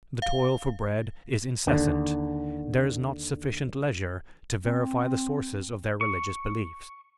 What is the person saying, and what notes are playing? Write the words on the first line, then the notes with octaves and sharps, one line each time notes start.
The toil for bread is incessant, there is not sufficient leisure to verify the sources of their religious beliefs.
F5
D#2 D3
C4
C#6